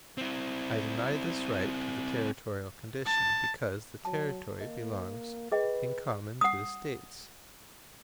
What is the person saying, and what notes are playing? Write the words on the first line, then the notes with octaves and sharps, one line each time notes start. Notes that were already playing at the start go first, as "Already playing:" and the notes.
I deny this right to the territorial condition, because the Territory belongs in common to the States.
C4 E4
A5
F#3 A5
A#3 D#5
G#4 B4 D#5 G5
F#5 D#6